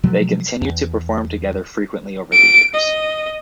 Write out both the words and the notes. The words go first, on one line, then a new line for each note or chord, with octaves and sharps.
They continued to perform together frequently over the years.
B2 F3 F#3 A3
E2
D7
D#5